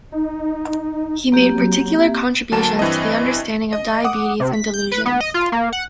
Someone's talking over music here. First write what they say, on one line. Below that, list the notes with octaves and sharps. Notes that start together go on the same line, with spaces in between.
He made particular contributions to the understanding of diabetes and delusions.
D#4
F#3 A#3 C4 G4
D2 F#3 A#3 A5 E7
G2 E3 C4 D#5
D#5
F#5 D6 D#6
C3
B6
G6
B4
B3
D#5
F4
A#3
F#5